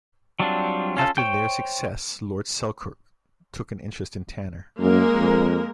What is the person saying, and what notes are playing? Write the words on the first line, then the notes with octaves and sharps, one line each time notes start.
After their success, Lord Selkirk took an interest in Tanner.
F#3 G3 C4 D4 F4
C#4 F4 A4
C5 C#5 G5 G6
F#2 G#3 A#3 A#4
F2